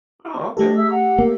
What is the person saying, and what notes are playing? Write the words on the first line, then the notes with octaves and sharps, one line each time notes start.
Oh, okay.
A3 D4 G4 A4 D#5 A5
G#4 E5 E6
F#5 A#5
A#3